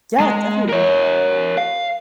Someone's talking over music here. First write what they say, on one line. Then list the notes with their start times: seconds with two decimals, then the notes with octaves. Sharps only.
yeah, definitely.
0.20 G#3
0.69 A#4 C#5
1.57 F5